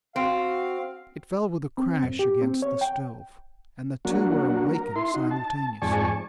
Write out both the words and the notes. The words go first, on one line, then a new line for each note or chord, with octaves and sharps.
It fell with a crash against the stove, and the two were awakened simultaneously.
C4 F#4 F5
C4
F#2
G4
C4
C#5
G5
F#3 A#3 D4 F#4
A#4
E4 C6
D#4 F#4
A5
F2 G#2 D5 G#5 A5 C#6